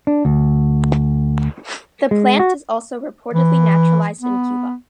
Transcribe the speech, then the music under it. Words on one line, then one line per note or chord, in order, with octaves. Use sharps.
The plant is also reportedly naturalized in Cuba.
D4
D2
G#3
F#4
E3
B3